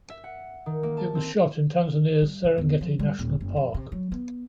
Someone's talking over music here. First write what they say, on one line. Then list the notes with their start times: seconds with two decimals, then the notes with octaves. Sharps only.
It was shot in Tanzania's Serengeti National Park.
0.10 E5
0.24 F#5
0.66 D#3
0.83 A#3
0.97 A5
1.15 C4
2.22 G3
2.44 C#3
2.58 E2
2.81 F3
2.99 G3
3.19 D#1
3.41 F#1
3.56 F2
3.74 C3
3.92 F#3
4.12 B3